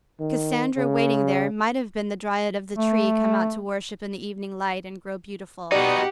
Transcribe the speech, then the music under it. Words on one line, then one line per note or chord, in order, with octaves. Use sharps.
Cassandra waiting there might have been the dryad of the tree come out to worship in the evening light and grow beautiful.
D#3
C#3
A3
B2 D#4 G4 D5 F#5 C#7